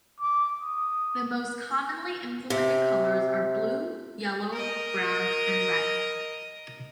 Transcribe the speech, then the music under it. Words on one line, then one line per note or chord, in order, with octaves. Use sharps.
The most commonly implemented colours are blue, yellow, brown, and red.
D6
D#6
C3
A#4 D#5